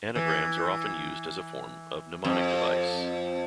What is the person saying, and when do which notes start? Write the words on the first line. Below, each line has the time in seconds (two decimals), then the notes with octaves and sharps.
Anagrams are often used as a form of mnemonic device.
0.15 E3
2.24 F2